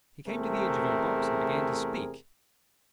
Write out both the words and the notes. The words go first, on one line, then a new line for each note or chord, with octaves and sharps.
He came to the edge of her box, and began to speak.
E2 C3 A3 C4 G#4 A#4